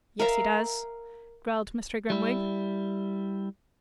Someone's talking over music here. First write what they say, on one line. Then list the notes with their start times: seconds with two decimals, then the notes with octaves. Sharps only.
'Yes, he does,' growled Mr. Grimwig.
0.19 A#4 E5 F5 A#5
2.10 G3 E4